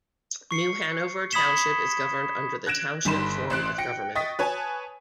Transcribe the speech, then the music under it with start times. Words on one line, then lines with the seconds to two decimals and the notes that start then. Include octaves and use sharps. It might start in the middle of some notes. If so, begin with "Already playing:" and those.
New Hanover Township is governed under the Township form of government.
0.51 C#6 C7 C#7
1.32 B5 D#6 G#6 B6 E7 G7
2.67 F#6 G#6 A#6 D7 E7
3.05 G1 G3 D#4 B5 C6 E7
3.50 A1 C5 F#6 D7
3.78 G5 A#6 C#7 D7
4.15 D#5 G5 C#6 D#6 A6 B6
4.39 B4 C#5 G#5 A5